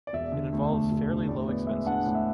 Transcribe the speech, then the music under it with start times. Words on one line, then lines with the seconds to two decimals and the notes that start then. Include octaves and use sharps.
It involves fairly low expenses.
0.07 D5
0.13 E1 E5
0.32 D3
0.52 D2
0.72 A3
0.91 E1
1.09 D3
1.28 A2 D5
1.48 B3 D5
1.67 G#3 E5
1.86 D4 F#5
2.06 A2
2.15 E5